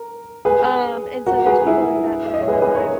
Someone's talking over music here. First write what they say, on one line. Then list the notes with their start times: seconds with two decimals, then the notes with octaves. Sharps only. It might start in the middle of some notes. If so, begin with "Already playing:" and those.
Um, and so there's people like that that are in my life
Already playing: A#4
0.45 G#4 B4
1.26 F#4 A#4
1.46 G#4 B4
1.67 E4 G#4
2.26 E5
2.34 D#5
2.41 C#5
2.48 G#4 B4
2.62 G#4 B4
2.75 A#4 C#5